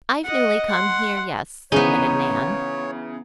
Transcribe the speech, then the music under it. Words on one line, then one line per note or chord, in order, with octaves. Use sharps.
"I've newly come here, yes," admitted Nan.
D#5 F#5
F#5 C6
C#3 E3 B3 D#4 G#4 C#5